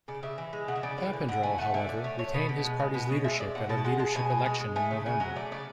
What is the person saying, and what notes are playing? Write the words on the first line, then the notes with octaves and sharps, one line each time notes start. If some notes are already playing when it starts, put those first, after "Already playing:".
Papandreou, however, retained his party's leadership at a leadership election in November.
C#3 D5
C#3 E5
E3
G#3
C#3 F#5
E5
C#3 D5
E3 D5
D3
D3 F#5
A3 G#5
A3 F#5
D3 E5
D3 D5
A3 C#5
A3 C#5
B2 B4
B2
G#3
G#3
B2 B4
B2 C#5
G#3 E5
G#3 D5
B2 F#5
B2 A5
G#3 F#5
G#3 A5
B2 G#5
B2
G#3
G#3
A3 G#5
C#3
C#3 G#5
F#3 F#5
A3 D5
C#3 D5